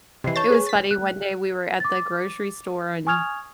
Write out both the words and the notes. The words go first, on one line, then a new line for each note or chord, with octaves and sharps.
it was funny, one day, we were at the grocery store, and
C3 E3 D#5 C7
C#5 A5 C#6 G6 A6
G#4 B4 G#5
A6 B6
F#6
D6 A6
G#5 C#6 D#6 F6 G#6 F7